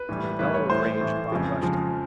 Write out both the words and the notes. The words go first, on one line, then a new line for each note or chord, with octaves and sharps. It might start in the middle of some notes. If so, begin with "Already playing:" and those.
With a bellow of rage, Bob rushed him.
Already playing: B4
A2 E3 G3
A2 E3 G3 B4
C#5
A2 E3 A3 C5
A2 E3 A3
F2 C#3 F3 G#3
F2 C#3 F3 G#3